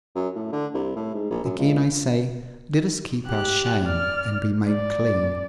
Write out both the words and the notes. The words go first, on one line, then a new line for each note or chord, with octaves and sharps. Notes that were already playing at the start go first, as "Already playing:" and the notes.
Again I say, let us keep our shame and be made clean!
F#2
A2
D3
C2
A2
G#2
A#1
F#2
C#2
G4 F#6
D5 F6
D5